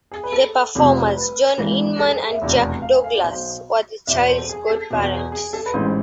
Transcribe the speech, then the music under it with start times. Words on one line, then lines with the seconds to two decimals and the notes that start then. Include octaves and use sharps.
The performers John Inman and Jack Douglas were the child's godparents.
0.12 G#4
0.24 B4
0.32 A4
0.75 F1 F2 C3 F3
1.16 B4
1.58 G#1 G#2 E3
1.99 A4
2.10 G#4
2.30 E5
2.42 F1 E2 B2
2.82 F5
2.94 G#5
3.04 F5
3.14 D5
3.24 B1 B2 C5
4.07 E2 B2 E5
4.18 D5
4.28 C5
4.38 A4
4.49 G#4
4.70 A4
4.90 E2 B2 G#4
5.12 G#4
5.32 G#4
5.53 A4
5.66 B4
5.74 A1 G#2 E3 C5